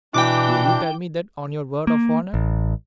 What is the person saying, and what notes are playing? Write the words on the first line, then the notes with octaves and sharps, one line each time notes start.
"Do you tell me that on your word of honor?"
B2 E3 D4 G5 D6
A#3
A1